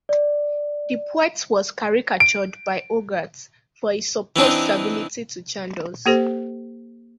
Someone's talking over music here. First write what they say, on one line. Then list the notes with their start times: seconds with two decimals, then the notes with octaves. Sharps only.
The poet was caricatured by Hogarth for his supposed servility to Chandos.
0.09 D5
2.20 D7
4.36 E3 C4 D4 D#4
6.06 A#3 G4 A4 C5